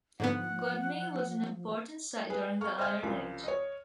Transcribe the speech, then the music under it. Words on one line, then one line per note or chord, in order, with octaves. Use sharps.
Gudme was an important site during the Iron Age.
G#2 D3 F3 B3 F#5
G#4 B4
C#6 F6
C5 D#5 E5 G#5 F6 G#6
C2 C#3 F3 F4 G#4
C#5 D#5